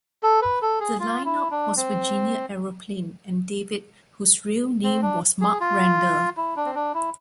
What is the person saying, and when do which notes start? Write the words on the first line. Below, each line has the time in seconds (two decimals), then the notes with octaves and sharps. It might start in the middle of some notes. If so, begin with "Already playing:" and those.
The line-up was "Virginia Aeroplane" and "David", whose real name was Mark Randall.
0.23 A4
0.42 B4
0.62 A4
0.80 G#4
1.00 F4
1.25 E4
1.51 D4
1.77 C4
4.84 C4
5.02 D4
5.41 G#4
5.60 F4
6.37 E4
6.56 D4
6.65 C4
6.75 D4
6.94 E4